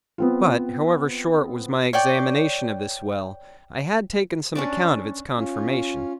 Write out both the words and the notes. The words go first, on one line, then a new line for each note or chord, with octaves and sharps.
But, however short was my examination of this well, I had taken some account of its conformation.
B3 C4 F4
C#5 D5 G5 C#6
C#4 D4 D5
C#4 F4